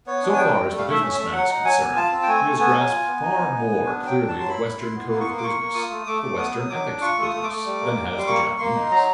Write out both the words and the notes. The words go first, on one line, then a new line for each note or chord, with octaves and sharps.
So far as the business man is concerned he has grasped far more clearly the Western code of business, the Western ethics of business, than has the Japanese.
B3 C#5
D4
G#5
G3 G5
G3
A3
F5
A3
E5
C#4
E5
A3
F#3 F#5
D#4
F#3 G#5
B3
F4 A5
C4
G5
A3 G#5
A3
B3 G#5
F#3
F4
B3
D#4
B3
B3
B3
D4
F#3 G5
D4
A5
F#3
C6
E4 B5
E4
E4 C6
B3
A#3 C6
C#6
A#3 C6
D6
A#3 C#6
A#3
F4 D#6
A3
A3 D6
A3
B3 D#6
F#3
F#3 D6
D4
F4 C#6
A3 D#6
A3
D6
A3
G3
A#3
G3
G3
C6
A#3 C#6
A#3
A#3 C6
D#4
F#3 A#5